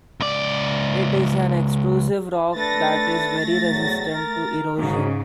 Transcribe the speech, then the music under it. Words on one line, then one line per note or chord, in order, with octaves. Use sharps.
It is an extrusive rock that is very resistant to erosion.
C#2 D5
A3 D4 A4 B4 A6 A#6
E2 A2 F#3
A#4
G#2 C#3 D#4 F#4